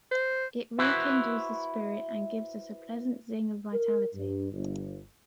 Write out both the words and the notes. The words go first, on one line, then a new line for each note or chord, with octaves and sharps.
It rekindles the spirit and gives us a pleasant zing of vitality.
C5
E4 F#4 B4 C5
A#4
G2
G1